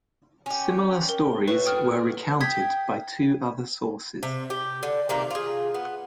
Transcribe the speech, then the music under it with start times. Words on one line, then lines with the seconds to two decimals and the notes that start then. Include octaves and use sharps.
Similar stories were recounted by two other sources.
0.46 C#4 G4
1.09 A#4
1.48 A2 F#4 B4 C#5
1.66 G5 D#6 F6
2.41 G5 D#6 G#6 B6
4.23 C3
4.50 G4
4.83 D3
5.09 C3 D#3 A#3
5.30 F4 G#4
5.74 B3